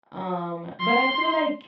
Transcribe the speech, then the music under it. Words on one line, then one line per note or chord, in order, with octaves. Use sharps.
Um, but I feel like
C6